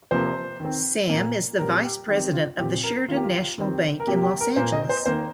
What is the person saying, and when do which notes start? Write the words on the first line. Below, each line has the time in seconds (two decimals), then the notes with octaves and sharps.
Sam is the vice president of the Sheridan National Bank in Los Angeles.
0.11 C3 F3 A#3 C5
0.60 D#3 C4
1.09 A#2 A#3
1.59 A#2 G3 C4 A#4
1.84 G4
2.08 D#3 G3 C4 G4
2.33 F4
2.59 A#2 F3 C4 G4
2.84 A#4
3.08 D#3 F4
3.12 A#3 G4
3.24 F4
3.58 D#3 G3 C4
4.00 A#4
4.07 C3 G3 A#3 G4
4.23 G4
4.41 A#4
4.56 A#2 A#3 C5
4.72 D#5
4.89 C5
5.06 D#3 A#3 C5